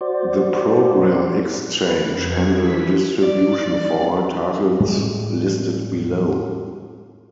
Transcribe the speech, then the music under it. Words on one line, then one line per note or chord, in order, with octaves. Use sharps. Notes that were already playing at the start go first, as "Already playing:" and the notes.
The Program Exchange handled distribution for all titles listed below.
F#4 C5 D5
B4
F2 G#6
E3 F3 B6
D5
A2 G3 G#3